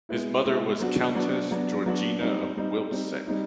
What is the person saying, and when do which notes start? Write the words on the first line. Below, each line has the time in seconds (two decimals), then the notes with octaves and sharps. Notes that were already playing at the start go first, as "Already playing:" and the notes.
His mother was Countess Georgina of Wilczek.
0.09 G#3 B3 E4
0.44 G#3 B3 E4
0.80 F#3 B3 D4 F#4
1.15 F#3 B3 D4 F#4
1.51 F#3 B3 D4 F#4
1.86 F#3 B3 D4 F#4
2.21 G3 C4 D#4
2.57 G3 C4 D#4
2.91 G3 C4 D#4
3.27 G3 C4 D#4